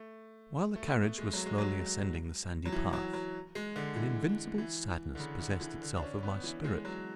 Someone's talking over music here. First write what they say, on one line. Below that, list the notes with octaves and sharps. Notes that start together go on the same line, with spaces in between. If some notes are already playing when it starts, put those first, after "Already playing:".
While the carriage was slowly ascending the sandy path, an invincible sadness possessed itself of my spirit.
Already playing: A3
A3
B3
A3
G#3
F#3
G#3
F#3
F#3
E3
F#3
F#3
G#3
D3
E3
E3
D3
C#3
D3
E3
D3
D4
C#4
B3
E3
G#3
F#3